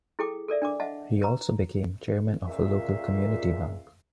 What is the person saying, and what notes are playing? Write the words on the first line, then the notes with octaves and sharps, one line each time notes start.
He also became chairman of a local community bank.
E4 G#4 A4 G5 D6
A4 A#4 D5 E5
D4 A#4 D6
D#5 E5 F#5 A5
A#4 B4 A#5
C#2 A#2 E5 F5